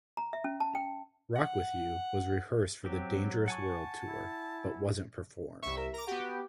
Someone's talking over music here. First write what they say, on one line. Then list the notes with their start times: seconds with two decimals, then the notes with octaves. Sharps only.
"Rock with You" was rehearsed for the Dangerous World Tour, but wasn't performed.
0.17 A#5
0.33 E5
0.44 C#4
0.60 A5
0.75 G5
1.36 F#5
2.85 F#3 C4 G4
3.48 F#5 G#5 A5 C#6
4.06 E4
5.62 C2 E5 C#6
5.77 A#4
5.93 A#4 A#5 D6
6.07 B3 F#4 G4